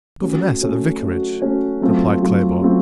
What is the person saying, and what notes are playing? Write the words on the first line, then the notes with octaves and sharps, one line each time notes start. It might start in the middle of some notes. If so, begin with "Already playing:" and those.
"Governess at the vicarage," replied Claybourne.
A3 C#4 F#4
A3 C#4 F#4
A3 C#4 F#4
A3 C#4 F#4
F#3 A3 C4 F4
F#3 A3 C4 F4
F#3 A3 C4 F4